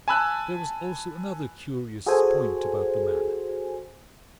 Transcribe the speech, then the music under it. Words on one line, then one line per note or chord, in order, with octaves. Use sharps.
There was also another curious point about the man.
G#5 A5 B5 E6 F#6
F#4 G#4 A4 C5 G#5